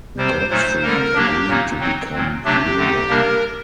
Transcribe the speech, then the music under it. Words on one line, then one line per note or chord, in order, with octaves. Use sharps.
Godfrey agreed to become ruler.
C3 G3 C4 C5
A#2 F#3 A3 D#4 C5
D3 G3 A#3 D#4 A#4
F#3 A#3 D4 G4
A#2 F#3 A#3 D#4
F#3 C4 D#4
A#2 F#3 C4
C3 F#3 A3 D4 G4
D3 A3 C4 D#4
C3 G3 A#3 D4 A#4